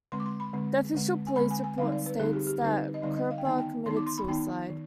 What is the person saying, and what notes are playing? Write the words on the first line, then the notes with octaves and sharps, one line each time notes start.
The official police report states that Kirpa committed suicide.
D3 G#3 C4 C6
D6
C6
B5
D3 G#3 C4
D3 G#3 C4
G#5
D3 G#3 C4 B5
G#5
G#5
D3 G3 C4 D#4 F5
D5
B4
D3 G3 C4 D#4 G#4
G4
G4
D3 G3 C4 D#4 B4
D#5
D3 G3 C4 D#4 D5
D#5
F5
G5
D#3 B3 D#4 G#5
G5
D#3 B3 D#4 C6
D6
C6
B5
D#3 B3 D#4 G5
D#3